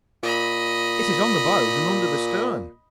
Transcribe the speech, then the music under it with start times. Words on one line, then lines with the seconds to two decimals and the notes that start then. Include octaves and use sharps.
"It is on the bows and under the stern."
0.23 A#2 D#5 B5